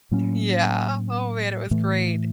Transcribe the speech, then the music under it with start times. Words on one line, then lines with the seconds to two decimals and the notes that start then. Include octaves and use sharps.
Yeah. Oh, man, it was great.
0.11 A2 F#3 A#3 C#4
1.71 A2 E3 A3